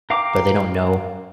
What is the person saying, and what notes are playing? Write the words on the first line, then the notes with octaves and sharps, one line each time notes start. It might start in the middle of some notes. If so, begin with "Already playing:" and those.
but they don't know,
A#4 F5 G5 A#5 D6